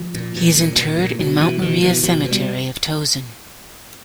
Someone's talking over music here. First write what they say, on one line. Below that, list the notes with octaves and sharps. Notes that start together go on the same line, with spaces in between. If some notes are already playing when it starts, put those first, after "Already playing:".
He is interred in Mount Maria Cemetery of Towson.
Already playing: F3
A#2
A#2
A#2
A#2
A#2
B2 F#3
B2 E3
B2 D#3
B2 E3
B2 F3
B2
G3